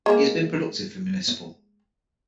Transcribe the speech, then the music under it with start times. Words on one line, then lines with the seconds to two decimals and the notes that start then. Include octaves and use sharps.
He has been productive for Municipal.
0.06 G#3 A#3